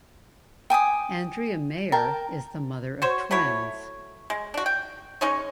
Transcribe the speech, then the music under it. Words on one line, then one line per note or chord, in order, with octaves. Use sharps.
Andrea Mayer is the mother of twins.
G5 G#5 D6 D#6
A#4 G5 A5
F#4 C5 C#5
F#3 A3 E4 C#5
G#3
D4 F#4
G5
G#3 C#4 D#4 C#5